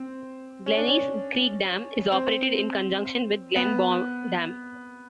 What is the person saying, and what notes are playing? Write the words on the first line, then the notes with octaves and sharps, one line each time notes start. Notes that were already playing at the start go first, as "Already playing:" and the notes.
Glennies Creek Dam is operated in conjunction with Glenbawn Dam.
Already playing: C4
C#4
D4
C#4
C4
B3